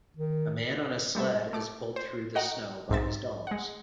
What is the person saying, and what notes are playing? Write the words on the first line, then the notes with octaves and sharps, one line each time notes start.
A man on a sled is pulled through the snow by his dogs.
D#3
G3 A3 B3 E5
A3 D6
C5
F#4 A#4 D#5 F#5 G5 A#5
B1 G#2 C4 E5 A6
G#3 F#5